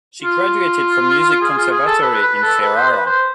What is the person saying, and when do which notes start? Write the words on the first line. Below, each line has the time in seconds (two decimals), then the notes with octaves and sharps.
She graduated from Music Conservatory in Ferrara.
0.23 F4
1.42 G#4
1.57 F4
1.72 G#4
1.87 A4
2.02 B4
2.22 B4
2.42 A4
2.62 B4
2.77 C5
2.92 B4
3.06 C5